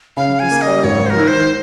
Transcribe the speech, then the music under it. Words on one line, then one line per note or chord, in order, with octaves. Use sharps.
That was all a blind.
C#3 F5
G#5
A#3
D#5
G#1 C#5
C5
A#4
D#3
C5